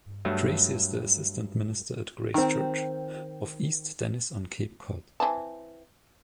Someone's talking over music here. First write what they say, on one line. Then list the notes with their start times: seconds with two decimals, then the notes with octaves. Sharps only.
Tracy is the Assistant Minister at Grace Church of East Dennis on Cape Cod.
0.25 G2 F#3 A3
2.34 D#3 C4
5.20 E3 C4 A5